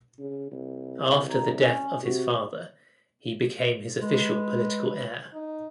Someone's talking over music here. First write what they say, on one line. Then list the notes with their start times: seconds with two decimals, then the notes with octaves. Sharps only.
After the death of his father he became his official political heir.
0.19 C#3
0.51 C2
1.30 A#5
1.59 C#4
2.03 C3 F#4
3.99 G#3 B4
5.33 D#4